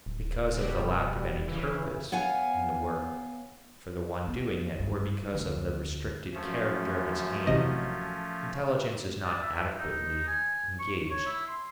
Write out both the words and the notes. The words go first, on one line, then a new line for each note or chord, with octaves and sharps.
Because of the lack of any purpose in the work for the one doing it, or because of the restricted character of its aim, intelligence is not adequately engaged.
D1
B2 G3
C#3 E3
B3 C#5 F5 G#5
B3
G2
D2
F#2 F3 A3 C#4
A1 C3 D#5
D5
E5
D#4
G#5
C#6
C#5
E4
C6